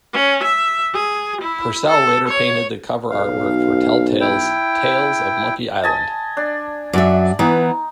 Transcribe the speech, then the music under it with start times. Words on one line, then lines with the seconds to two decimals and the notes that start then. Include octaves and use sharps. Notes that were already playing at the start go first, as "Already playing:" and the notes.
Purcell later painted the cover artwork for Telltale's "Tales of Monkey Island".
0.14 C#4
0.44 E5
0.94 G#4
1.41 E4
1.87 A4
2.28 C#5
3.10 B1 F5
4.20 E4 G5
5.84 D#5 G#5 A5
6.37 D4
6.93 F#2 F#3 D5 E5
7.39 E3 B3 D#4